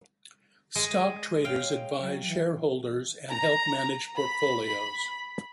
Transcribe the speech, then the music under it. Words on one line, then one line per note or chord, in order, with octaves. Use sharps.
Stock traders advise shareholders and help manage portfolios.
G#3
C#5 F5 G5
F#3
E3
A#5
B5